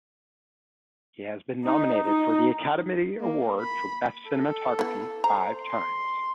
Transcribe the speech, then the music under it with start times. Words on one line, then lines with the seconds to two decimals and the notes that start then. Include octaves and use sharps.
He has been nominated for the Academy Award for Best Cinematography five times.
1.62 D#4
2.06 D#4
3.21 A#3
3.60 B5
4.30 A4
4.79 B3 E4
5.24 C5 A#5
5.63 C6